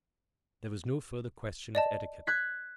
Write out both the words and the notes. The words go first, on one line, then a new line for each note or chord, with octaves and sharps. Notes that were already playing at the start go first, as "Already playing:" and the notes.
There was no further question of etiquette.
D5 D#5 A5
F#6 G#6 B6